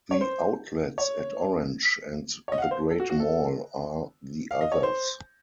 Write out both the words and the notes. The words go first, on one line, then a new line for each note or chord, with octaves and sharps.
The Outlets at Orange, and The Great Mall are the others.
C#5
C5
C#5
C#5
D#5
F#5
F5
C5
A4
F#4
F#4
A4
F5
D#5
C#5
C5